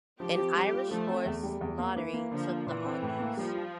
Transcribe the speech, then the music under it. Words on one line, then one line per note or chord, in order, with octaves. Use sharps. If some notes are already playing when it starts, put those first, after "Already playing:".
An Irish horse, Lottery, took the honours.
F3 G4
C4
G3
F4
F3 A3
C4
E2
G3
E2
A#3
E3
A#3
D3 F3
A#3
A#2 E3
C4
A2
A#3
F3 G3
F4